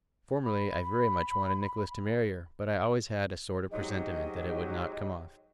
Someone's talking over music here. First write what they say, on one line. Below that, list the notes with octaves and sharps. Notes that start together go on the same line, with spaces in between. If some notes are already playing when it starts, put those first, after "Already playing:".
Formerly I very much wanted Nicholas to marry her, but I always had a sort of presentiment that it would not come off.
B5
B5
G#2 F#3 G4 D#5